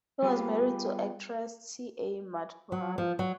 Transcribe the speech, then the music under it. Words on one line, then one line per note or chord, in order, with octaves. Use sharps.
He was married to actress T. A. Madhuram.
G3 B3 F4 G4 G#4 B4
F#3
F3
F#3